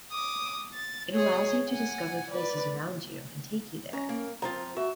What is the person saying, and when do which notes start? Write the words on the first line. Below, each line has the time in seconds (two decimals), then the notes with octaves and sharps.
It allows you to discover places around you and take you there.
0.12 D6 D#6
0.73 A6
1.12 G#4 C#5
1.69 F#5 G#5
2.31 B4 D5
3.93 C#4 A#5
4.09 A#3 A#4
4.42 F3 C4 F4 A#5
4.77 F#4 E5